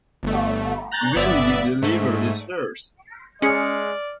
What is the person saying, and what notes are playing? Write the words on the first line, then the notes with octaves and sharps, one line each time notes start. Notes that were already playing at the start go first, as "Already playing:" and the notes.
When did you deliver this first?
G1 A3
A#5 F#6 G6 A6
G1 B3 D5 E5
G#2 A3
G#3 C#4 G#4 D5 F6 C#7